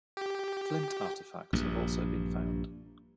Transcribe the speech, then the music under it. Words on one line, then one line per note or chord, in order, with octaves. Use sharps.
Flint artefacts have also been found.
G4
A#1 G2